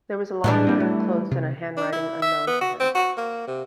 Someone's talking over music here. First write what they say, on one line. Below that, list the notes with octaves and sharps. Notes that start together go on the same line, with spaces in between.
There was a long letter enclosed in a handwriting unknown to him.
A2 E3 G3 D4
A#3 C4
A3
C3
D4
E4
E5
B3
F#4
C4
F#4
A#3
C3